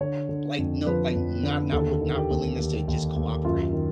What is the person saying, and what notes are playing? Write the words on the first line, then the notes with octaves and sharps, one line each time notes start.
like, no like, not not w not willingness to just cooperate.
D3 C#5
D3
F2
F3 B4
F2
D3
D#2 A4
D#3
G4
D#2
D#2
D#2
D#2
F#2 F4
D#3